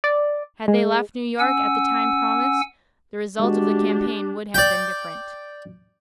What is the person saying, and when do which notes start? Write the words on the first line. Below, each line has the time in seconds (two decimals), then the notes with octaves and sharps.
Had they left New York at the time promised, the result of the campaign would have been different.
0.04 D5
0.68 G#3
1.40 C#4 F#5 G#5 E6
3.40 G#3 D4 F#4 G4
4.54 D5 G5